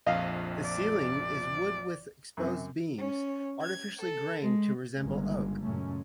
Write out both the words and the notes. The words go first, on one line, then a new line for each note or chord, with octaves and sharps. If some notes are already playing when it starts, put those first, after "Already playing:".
The ceiling is wood with exposed beams artificially grained to resemble oak.
A#1 F2 D#5 F5
D5
F#2 C3
C#4
G#6
A4
G#3
G1 C#3 G3 G#3 A#3
F#2 A#2 C#3 G#3 A3 C#4